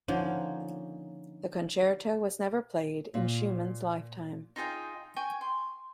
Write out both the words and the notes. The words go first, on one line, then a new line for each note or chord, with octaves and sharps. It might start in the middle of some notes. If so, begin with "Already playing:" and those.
The concerto was never played in Schumann's lifetime.
D3 F3 A#3 C#4 D#4 C#5
A#2
D#4 F4 G#4 G5
G5 G#5 C#6
C6